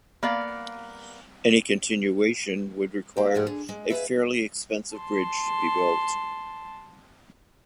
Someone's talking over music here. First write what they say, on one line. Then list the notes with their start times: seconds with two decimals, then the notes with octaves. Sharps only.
Any continuation would require a fairly expensive bridge to be built.
0.23 A#3 B3 D5 F5
3.17 A#3 G4
3.34 D#2 G#2 F3 G4 F#5
3.47 D3 G#4
3.69 G#3
3.90 G#4 A4 B4 E5
4.96 A5 C6